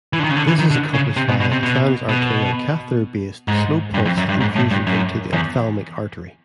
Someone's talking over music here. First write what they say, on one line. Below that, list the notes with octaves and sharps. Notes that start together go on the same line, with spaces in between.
This is accomplished via transarterial catheter based slow pulsed infusion into the ophthalmic artery.
E3
D3
D#3
C#3
D3
E3
D#3
D3
C#3
C3
B2
B2
C3
B2
B2
G#2
G2
F2
F#2
G2
G#2
A2
G2
F#2
E2